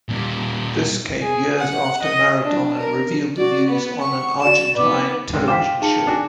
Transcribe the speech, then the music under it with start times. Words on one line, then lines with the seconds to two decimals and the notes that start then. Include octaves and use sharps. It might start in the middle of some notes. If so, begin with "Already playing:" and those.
This came years after Maradona revealed the news on an Argentine television show.
0.09 A#2 G3
1.21 G#4
1.59 F#5
2.02 D#5
2.44 D4
2.79 A#4
3.37 F#4 D5
3.68 B3 F#5
4.01 C#6
4.42 F#4 D5 E7
4.76 B3 D#4 D6
5.33 G#2 C3 D4
5.48 F4 C5 G5 D6 B6 E7
5.81 D#4 F4 G#4 A5 C#7
6.07 D4 F#4 G#5